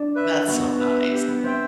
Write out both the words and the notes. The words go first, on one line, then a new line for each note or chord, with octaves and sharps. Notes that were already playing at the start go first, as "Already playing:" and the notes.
That's so nice.
Already playing: D4
B4 E5
B3 F#4
B4 E5
G4
B3
C4 C5 E5 G5